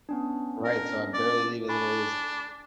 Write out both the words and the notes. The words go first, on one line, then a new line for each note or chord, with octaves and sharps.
Right, so I barely leave as it is.
B3 C#4 D4
A#4
D5
D4 G#5 B5 C#6